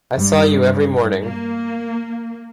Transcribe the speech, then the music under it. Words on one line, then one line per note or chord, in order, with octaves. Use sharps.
I saw you every morning.
G2
A#3